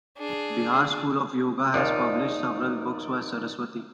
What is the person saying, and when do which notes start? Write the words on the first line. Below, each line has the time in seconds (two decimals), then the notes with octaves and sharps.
Bihar School of Yoga has published several books by Saraswati.
0.18 D4 G#4
1.74 A#1 D#2 F3 D#4 D5